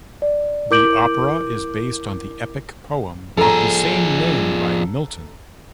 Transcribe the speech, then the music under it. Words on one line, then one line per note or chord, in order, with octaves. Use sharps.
The opera is based on the epic poem of the same name by Milton.
D5
E4 A#4 D6 G6 D7 F#7
F3 G#4 A4 A#5